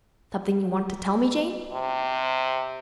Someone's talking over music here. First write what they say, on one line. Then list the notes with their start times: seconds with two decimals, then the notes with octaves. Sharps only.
Something you wanted to tell me, Jane?'
1.72 C3